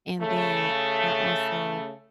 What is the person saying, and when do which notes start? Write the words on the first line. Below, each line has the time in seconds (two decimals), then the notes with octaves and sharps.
And then I also,
0.21 C#3 A3